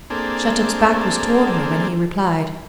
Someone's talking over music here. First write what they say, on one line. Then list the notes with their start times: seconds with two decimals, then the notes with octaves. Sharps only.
Shattuck's back was toward her when he replied.
0.10 A#3 C4 D4 G#4 A4